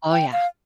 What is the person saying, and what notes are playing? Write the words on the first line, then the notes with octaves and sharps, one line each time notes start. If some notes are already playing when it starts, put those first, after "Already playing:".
Oh, yeah.
G5
F5